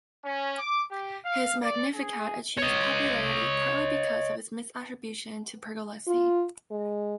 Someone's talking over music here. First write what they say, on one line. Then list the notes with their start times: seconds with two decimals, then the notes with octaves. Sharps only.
His "Magnificat" achieved popularity partly because of its misattribution to Pergolesi.
0.23 C#4
0.58 D6
0.89 G4
1.24 F5
1.61 D5
1.94 G#4
2.58 C#5 D#5
6.07 F4
6.71 G#3